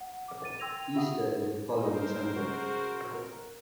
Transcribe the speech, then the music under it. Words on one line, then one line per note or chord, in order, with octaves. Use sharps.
Easter is the following Sunday.
F#5
D6
A6 D#7
G5 C6 E6 G#6 A#6 F7
F7
F4 G4 E5 F#5 D#6
A3 A4 A#4 C5 D#5
C#3 G#3 F#4
A#4